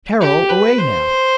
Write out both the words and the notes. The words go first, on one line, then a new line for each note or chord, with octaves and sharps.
"Carol away, now!"
G4
B4
C5